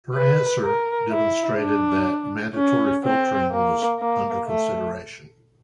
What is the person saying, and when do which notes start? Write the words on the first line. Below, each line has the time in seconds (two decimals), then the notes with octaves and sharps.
Her answer demonstrated that mandatory filtering was under consideration.
0.15 B4
0.63 A#4
1.12 E4
1.60 D4
2.56 C#4
3.04 C4
3.52 A#3
4.00 A#3
4.47 A3